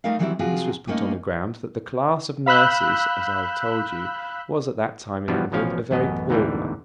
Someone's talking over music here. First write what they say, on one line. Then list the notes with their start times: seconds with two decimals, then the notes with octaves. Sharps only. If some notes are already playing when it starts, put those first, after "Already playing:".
This was put on the ground that the class of nurses, as I have told you, was at that time in England a very poor one.
0.04 G3 A3 D#4 A#4 D5 F5
0.19 D#3 E3 F#3 G3 C4 E4
0.39 C3 F3 F#3 F4 F#4 G#4
0.87 G3 A3 A#3 C#4 D#4
2.46 F5 B5 E6 F#6 G6
5.28 E2 G2 B2 F3 G3 B3
5.52 A1 B2 F3 C#4 F5
5.91 A1 F#2 B3 D#5
6.29 D2 G#2 B2 D3 E3 G3